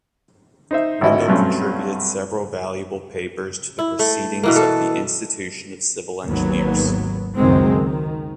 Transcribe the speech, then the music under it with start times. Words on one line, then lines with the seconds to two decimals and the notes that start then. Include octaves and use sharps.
Rendel contributed several valuable papers to the 'Proceedings' of the Institution of Civil Engineers.
0.71 D#4 C5 E5
1.01 G#1 D3 E3 E4 F#4 D#5
1.28 G2 B2 F#3 A3 C4 C#4
3.79 E4
3.99 A3
4.44 B2 E3 A#3
4.56 A4
6.27 G#1 D#2 F#3 B3
7.37 C#2 F#2 D#3 F#3 G#3 C4
7.71 D#3